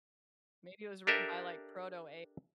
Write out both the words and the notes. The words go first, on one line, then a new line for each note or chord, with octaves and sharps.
Maybe it was written by, like, Proto AI,
D4 G4 A4 A#4 D#5 E5